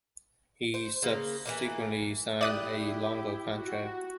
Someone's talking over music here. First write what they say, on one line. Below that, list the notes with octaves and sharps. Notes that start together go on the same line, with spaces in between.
He subsequently signed a longer contract.
C5
C#3 A#3
E3 F#3 A#3
E4 G4 D5 E5 D#6 F#6
F#4